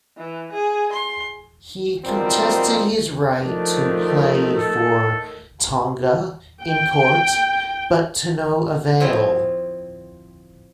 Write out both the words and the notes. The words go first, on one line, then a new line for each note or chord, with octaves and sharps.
He contested his right to play for Tonga in court, but to no avail.
E3
G#4
C6
B2 D#3 F3 G3 C4 A#4
D#3 F3 A3 D4
A4
G5
F3 C4 E4 F4 C#5 D#5